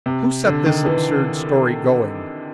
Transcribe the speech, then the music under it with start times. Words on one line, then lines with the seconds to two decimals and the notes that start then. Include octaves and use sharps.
"Who set this absurd story going?"
0.06 C3
0.46 D3
0.66 D#3
0.86 E3